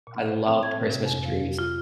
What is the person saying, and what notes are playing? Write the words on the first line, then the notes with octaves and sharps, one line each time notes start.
I love Christmas trees.
A#2
C5
C4
G#6
C3
F2
F5
F4